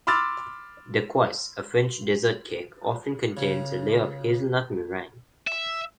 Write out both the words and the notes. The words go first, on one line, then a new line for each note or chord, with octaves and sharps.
"Dacquoise", a French dessert cake, often contains a layer of hazelnut meringue.
B5 C6 D6 E6 F6 A6
C#3
E5